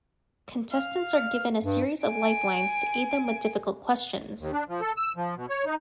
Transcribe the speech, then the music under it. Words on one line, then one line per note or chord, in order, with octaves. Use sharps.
Contestants are given a series of lifelines to aid them with difficult questions.
F5 F6
G2
G#5 D7
D#2
D4
F3
A4
E6
F3
B2
C#5
D#4